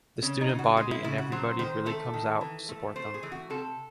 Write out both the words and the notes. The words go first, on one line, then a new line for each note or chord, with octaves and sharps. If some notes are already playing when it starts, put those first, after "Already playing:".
The student body and everybody really comes out to support them.
C#3 C#4
D#4
C#3
F#4
G#3 G#4
E4
C#3 E4
F#4
F#3 C5
D#3 C5
A3 A4
D#3
E3
A3
A3 C5
G#4
E3
F#4
C3 A4